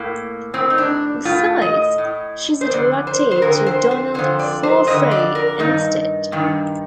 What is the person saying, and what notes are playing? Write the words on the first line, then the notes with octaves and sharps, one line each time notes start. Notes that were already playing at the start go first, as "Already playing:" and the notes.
Besides, she's attracted to Donald Farfrae instead.
Already playing: A2 A#3
A2 C4
D#4
D4
A2 F4
D#5
A2
C5
F2 D3 D5
C5
C5
F2 D3 A#4
C5
C5
F2 D3 C5
D5
C5
F2 D3 D#5
D5
A#4
G2 D#3 D#4
G2 D#3